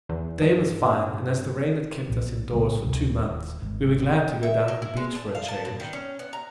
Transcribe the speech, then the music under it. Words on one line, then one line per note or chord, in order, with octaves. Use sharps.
The day was fine, and as the rain had kept us in doors for two months, we were glad to go down on the beach for a change.
E2
G2
B1 A#2
B1 A2 C#3 G3
D2 C3
D#1
G#1
E5
A#3
E4
G#3
A5
F5
A5
B2
D#3
C#4
B3
A#5